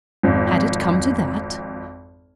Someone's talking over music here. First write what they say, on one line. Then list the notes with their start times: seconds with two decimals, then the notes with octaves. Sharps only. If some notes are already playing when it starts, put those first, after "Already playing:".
Had it come to that?
0.23 G#1 F2